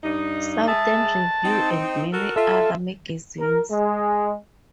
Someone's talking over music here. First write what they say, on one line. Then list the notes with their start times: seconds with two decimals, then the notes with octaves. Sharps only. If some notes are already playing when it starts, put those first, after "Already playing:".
"Southern Review", and many other magazines.
0.04 G2 D#4
0.67 G#3 G#4 E5 A5
1.44 C4 D#4
2.13 F#4 A4 A#4
2.36 F4 A4 E5
3.40 A#4
3.71 G#3